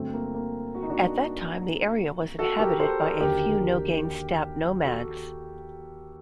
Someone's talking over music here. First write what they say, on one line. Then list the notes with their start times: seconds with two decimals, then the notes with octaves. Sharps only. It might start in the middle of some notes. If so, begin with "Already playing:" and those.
At that time the area was inhabited by a few Nogain steppe nomads.
Already playing: G2 D3 F#3 A3 C4
0.13 A#3
0.34 A#3
0.75 F#4
0.83 D#4
0.90 D4 F#4
2.39 F#4 A4
2.59 G4 A#4
2.80 A4 C5
3.00 A#4 D5
3.20 D#2 D3 F#3 G4 A#4
4.84 F#4 A4